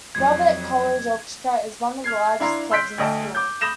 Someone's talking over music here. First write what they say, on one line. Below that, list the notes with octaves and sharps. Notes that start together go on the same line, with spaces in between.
Robert College Orchestra is one of the largest clubs in school.
F2 F#3 G#6
F6 G#6 C7
D4 E4 F5 A#5 C6
C6 E6 F#6 G6 B6 D7
D2 A3 D#5 G5 A5
D6 G6
B5 D#6 G6 A#6 E7